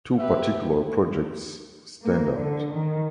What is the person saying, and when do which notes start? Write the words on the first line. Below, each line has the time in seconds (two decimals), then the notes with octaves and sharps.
Two particular projects stand out.
0.18 G4 B4 E5
2.04 A#3
2.37 D3
2.73 D#3